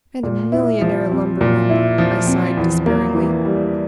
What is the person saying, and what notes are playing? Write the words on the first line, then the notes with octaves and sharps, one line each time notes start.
"And a millionaire lumberman!" I sighed, despairingly.
A#2
E4
F3
C4
A#2
E4
F3
C4
E2
A#3
E3
G3